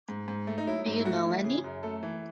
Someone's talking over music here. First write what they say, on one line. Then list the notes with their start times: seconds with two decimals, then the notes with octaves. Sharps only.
Do you know any?
0.09 G#2
0.28 G#2
0.47 A3
0.58 D#4
0.67 F#3 E4
0.86 G#2
1.00 E4
1.05 A3 F#4
1.24 E3
1.44 C#3 G#4
1.64 F#2
1.83 A3 A4
2.03 E3